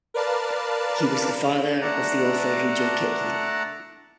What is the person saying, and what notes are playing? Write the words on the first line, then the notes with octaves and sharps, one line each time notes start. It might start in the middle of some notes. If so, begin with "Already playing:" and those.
He was the father of the author Rudyard Kipling.
A#4 B4 D5 F5 A5
A3 D4 D5 F#5 A5 A#5